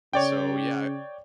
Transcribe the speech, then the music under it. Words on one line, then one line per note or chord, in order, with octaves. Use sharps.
so yeah
C#3 C#5 D5 G5